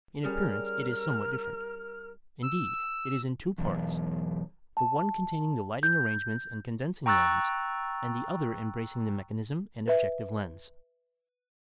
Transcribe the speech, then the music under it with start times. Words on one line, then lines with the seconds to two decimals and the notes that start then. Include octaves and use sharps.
In appearance it is somewhat different; indeed, it is in two parts, the one containing the lighting arrangements and condensing lens, and the other embracing the mechanism and objective lens.
0.24 G3 C#4 G#4 A#4 F6
2.43 E6
3.58 B1 E2
4.77 A5
5.83 G6
7.06 G5 A#5 C#6 E6 F#6 A6
9.88 B4 E5